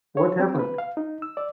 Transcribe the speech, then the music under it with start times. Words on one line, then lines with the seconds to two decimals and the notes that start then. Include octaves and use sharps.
What happened?
0.17 C#5
0.40 C4
0.59 B4
0.78 F5
0.97 D#4
1.22 E6
1.37 D5